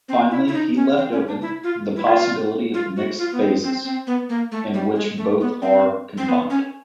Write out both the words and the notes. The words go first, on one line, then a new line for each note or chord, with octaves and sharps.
Finally he left open the possibility of mixed phases, in which both are confined.
C4
E4
E4
D#4
C#4
C4
C#4
D4
E4
F4
E4
F4
F4
F#4
F4
B3
C4
C4
C4
B3
A#3
A3
G3
G#3
A3
B3
C4
C4
B3
C#4